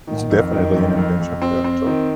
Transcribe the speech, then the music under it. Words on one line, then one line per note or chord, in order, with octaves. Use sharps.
It's definitely an invention, yeah, so
D#3
F2
D#3
F2
F2
F2
C4
C4
D#3